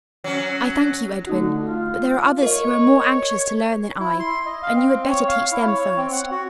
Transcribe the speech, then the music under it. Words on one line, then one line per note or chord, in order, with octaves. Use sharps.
"I thank you, Edwin; but there are others who are more anxious to learn than I, and you had better teach them first."
F#3 C#4
D3 A3 D#4 F#4
F4
A#4 C#5 D#5
E4
C6
D#5
F5
C4
C#5
F5
E4
C#5
C4
F#5
F#4